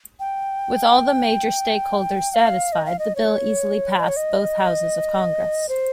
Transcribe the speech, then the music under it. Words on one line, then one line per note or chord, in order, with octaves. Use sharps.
With all the major stakeholders satisfied, the bill easily passed both houses of Congress.
G5
G5
F5
D#5
F5
D#5
C#5
D#5
C#5
D#5
C5